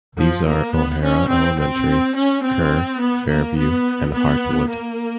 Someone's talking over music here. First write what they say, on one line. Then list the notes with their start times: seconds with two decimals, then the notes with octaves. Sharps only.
These are O'Hara Elementary, Kerr, Fairview, and Hartwood.
0.18 F3
0.46 A#3
0.74 B3
1.02 C#4
1.30 C4
1.59 C4
2.15 C#4
2.43 C4
3.00 B3
3.28 A#3
3.56 B3
4.13 B3
4.69 A#3